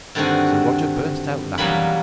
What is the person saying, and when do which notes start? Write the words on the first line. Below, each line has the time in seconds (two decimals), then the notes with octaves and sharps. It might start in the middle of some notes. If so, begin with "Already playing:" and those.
So Roger burst out laughing.
0.15 G2 D3 D#3 C4 F#4
1.58 E2 B2 F#3 G3 A#3 B5